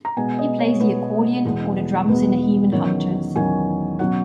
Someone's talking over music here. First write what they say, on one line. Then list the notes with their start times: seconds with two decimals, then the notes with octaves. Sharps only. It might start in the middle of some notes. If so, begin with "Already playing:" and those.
He plays the accordion or the drums in the Heman Hunters.
0.05 A#5
0.17 B2 G#3 B3 G#5
0.39 D#5
0.59 C#5
0.80 B2 G#3 B3 B4
1.45 E2 B2 G#3 B3
2.09 E2 B2 G#3 B3 B4
2.72 E2 D#3 F#3 C#4 C#5
3.36 E2 D#3 F#3 C#4 G#5
3.99 B2 F#3 C#4 F#5